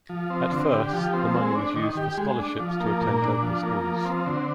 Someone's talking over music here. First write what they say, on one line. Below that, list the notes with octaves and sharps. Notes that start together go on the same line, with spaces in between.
At first the money was used for scholarships to attend local schools.
F3
C4
D3
G4
F3
C4
G#3
D4
D#3
G4
G#3
D4
F3
A#3
A#2
D4
F3
A#3
F3
C4
D3